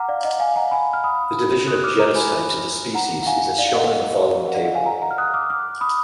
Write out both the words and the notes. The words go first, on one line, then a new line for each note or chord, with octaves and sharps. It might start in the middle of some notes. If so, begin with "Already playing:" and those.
The division of genus types into species is as shown in the following table.
Already playing: F#5 A#5 D6 F6
D5 F5
D#5 F#5
F5 G#5
F#5 A#5
G#5 B5
F6
B5 D#6
D#6 F#6
F#6
D6 F6
A#5 D6
G#5 B5
F#5 A#5
F#5
F5 G#5
D5 F5
F5
D#5 F#5
D#5
F#5
D5 F5
D#5 F#5
F5 G#5
F#5 A#5
F#5 A#5
F6
D#6 F#6
D6 F6
D6 F6
B5 D#6